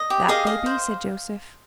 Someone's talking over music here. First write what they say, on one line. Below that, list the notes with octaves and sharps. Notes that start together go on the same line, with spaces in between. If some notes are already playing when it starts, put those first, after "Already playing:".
"That they be," said Joseph.
Already playing: D#5
G4
G#4 D#5 F5
D#5
C5